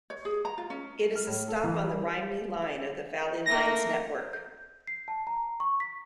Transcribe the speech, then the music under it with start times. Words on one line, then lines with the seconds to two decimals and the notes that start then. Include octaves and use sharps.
It is a stop on the Rhymney Line of the Valley Lines network.
0.10 C#5
0.25 G#4
0.45 A#5
0.58 F4
0.70 C#4
1.15 F6
1.27 A2
1.48 A4
1.64 E3
1.84 G3
3.46 A3 A#3 A#6
4.33 G6
4.87 C7
5.08 A5
5.27 A#5
5.60 C#6
5.80 B6